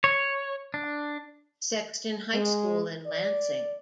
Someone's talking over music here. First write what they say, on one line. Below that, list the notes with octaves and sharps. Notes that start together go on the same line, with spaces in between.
Sexton High School in Lansing.
C#5
D4
G#3
D5